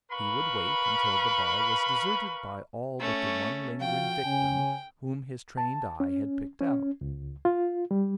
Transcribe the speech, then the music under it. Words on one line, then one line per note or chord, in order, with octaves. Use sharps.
He would wait until the bar was deserted by all but the one lingering victim whom his trained eye had picked out.
A#4 B4 F5 B5 C#6
A3 C#4
F3 F#4 F5 G5
C#3 C#4 G#5
A5
C#4
C#4
C#2
F4
G3